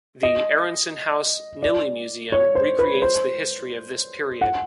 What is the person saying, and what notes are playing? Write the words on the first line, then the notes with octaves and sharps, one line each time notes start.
The Aaronsohn House-Nili Museum recreates the history of this period.
D#5
D5
C#5
C5
B4
C5
F#5